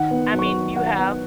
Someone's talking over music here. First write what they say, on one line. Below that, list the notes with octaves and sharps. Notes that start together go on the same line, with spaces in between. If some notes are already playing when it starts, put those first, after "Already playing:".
I mean, you have
Already playing: D#3 F#5
B3
F#3
C#6
D#3
D#3 F#5
B3